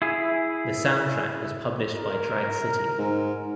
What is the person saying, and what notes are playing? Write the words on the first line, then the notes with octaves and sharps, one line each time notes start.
The soundtrack was published by Drag City.
E4 G#4
A#4
G#2